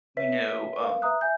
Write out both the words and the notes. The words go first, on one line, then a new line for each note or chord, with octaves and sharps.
you know, um,
B4 C#5 E5 B6
A#4 B4 F5
B4 E5 A#5 D#6 F#6
E5 G#5 G6